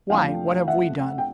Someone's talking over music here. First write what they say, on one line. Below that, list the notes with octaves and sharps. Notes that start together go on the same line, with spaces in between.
"Why, what have we done?"
F2 C3 F3 A3 D4 F5 G5
E5 F#5
G5